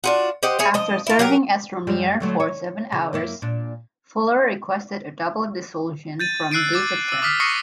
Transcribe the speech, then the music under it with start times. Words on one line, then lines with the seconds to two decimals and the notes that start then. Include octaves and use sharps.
After serving as Premier for seven hours, Fuller requested a double-dissolution from Davidson.
0.04 D4 F4 F#4
0.43 G4 C5 D#5 F#5
0.59 G#4 C#5 E5
0.74 F3 D#5
1.07 E4 F4
1.19 F#3 G4 A#4
1.87 F#2 G3 G#3
2.20 D3 F#3 A3
2.40 C#5
2.92 C#3
3.13 F#2 A#3 E4
3.42 A#2 D4
6.20 G6 A6 D#7
6.52 E6 F#6 C7 D7 D#7
6.73 D6 A6
7.09 E6 D#7
7.22 D6 D#6 F6 B6 C7
7.40 C#6 D#6 F#6 A#6 C7 C#7